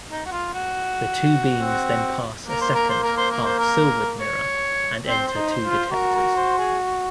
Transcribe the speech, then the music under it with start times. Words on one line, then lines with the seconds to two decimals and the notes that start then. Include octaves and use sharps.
The two beams then pass a second half-silvered mirror and enter two detectors.
0.10 D#4
0.26 F#4
0.32 F4
0.54 F#4
1.62 C4
2.48 A#3 A#4
2.61 C5
2.75 A#4
2.89 C5
3.04 A#4
3.18 C5
3.31 A#4
3.45 C5
3.59 A#4
4.20 C#5
5.07 C4 C5
5.28 C5
5.36 D#4
5.50 C5
5.63 F4
5.71 C5
5.92 F#4 A#4
6.15 A#4
6.36 C5
6.58 G#4